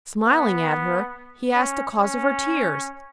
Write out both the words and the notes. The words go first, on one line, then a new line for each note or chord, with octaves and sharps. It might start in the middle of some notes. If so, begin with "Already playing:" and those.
Smiling at her, he asked the cause of her tears.
B3
C#4
C#4